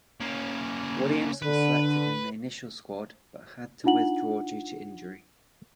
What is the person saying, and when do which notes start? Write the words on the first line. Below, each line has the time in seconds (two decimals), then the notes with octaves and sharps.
Williams was selected in the initial squad, but had to withdraw due to injury.
0.20 A#3 C#4
1.42 D3 B4
3.84 D4 D#4 F4 F#5 F#7